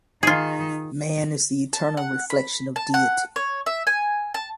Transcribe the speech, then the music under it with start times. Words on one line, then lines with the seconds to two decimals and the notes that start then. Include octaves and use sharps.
Man is the eternal reflection of Deity.
0.23 D#3 D#4 F4 G#4
1.73 A5
1.97 F#5
2.30 B5
2.76 A5
2.94 F#5
3.36 C#5
3.66 E5
3.87 G#5
4.34 A5